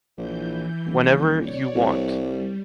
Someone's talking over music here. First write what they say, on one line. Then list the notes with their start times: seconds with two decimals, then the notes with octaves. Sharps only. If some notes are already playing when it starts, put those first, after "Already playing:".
Whenever you want.
0.18 A#1 E3 G6
0.86 D#1
1.38 C#5 D5
1.75 C2
2.18 G3